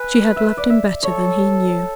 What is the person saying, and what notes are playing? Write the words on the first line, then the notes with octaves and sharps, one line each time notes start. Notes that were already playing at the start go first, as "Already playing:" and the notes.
She had loved him better than he knew.
Already playing: B4 E5 G#5
E5
D5
E5
A4 C#5